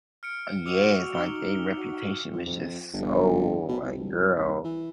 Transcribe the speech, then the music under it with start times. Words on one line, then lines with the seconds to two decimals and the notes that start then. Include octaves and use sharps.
Uh, yes, like, they reputation was just so like, girl,
0.23 F6 C#7 D7
0.66 F#4 D6 E6 F7
1.15 D#4 G7
1.77 F#4
2.33 F3
2.46 F2
2.93 G1
3.68 B2
3.83 C2
4.36 C2
4.64 E3